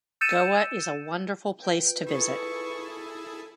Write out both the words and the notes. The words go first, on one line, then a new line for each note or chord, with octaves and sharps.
Goa is a wonderful place to visit.
E6 G6 A6 C#7 D#7 E7
F4 B4 G5
E4 G#4 A4 C#6